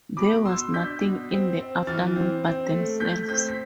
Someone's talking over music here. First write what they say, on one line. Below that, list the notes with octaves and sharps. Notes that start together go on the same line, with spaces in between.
There was nothing in the afternoon but themselves.
B2 B5 D6
B2 C6 E6
D4 G6 B6
B2
C4
C4
E3 F6 A6
C4
C4
A3
A3 G6 B6
C4 G6 B6
B6